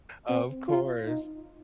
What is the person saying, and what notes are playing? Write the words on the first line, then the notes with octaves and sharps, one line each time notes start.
of course.
C4
F4
D#4